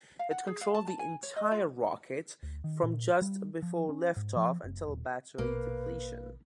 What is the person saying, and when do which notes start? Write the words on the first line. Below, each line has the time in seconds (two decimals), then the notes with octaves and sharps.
It controlled the entire rocket from just before liftoff until battery depletion.
0.19 F5
0.31 F#5
0.47 G#4
0.61 F5
0.74 A5
0.88 A5
0.99 G#5
1.23 C#5
1.36 D#5
1.52 F4
2.43 D2
2.64 D#3
2.83 A#2
3.22 G3
3.62 F3
3.89 C#4
4.17 G#2
4.37 F3
4.64 F#1
4.88 D#1
5.38 A#1 B2 A#3 B4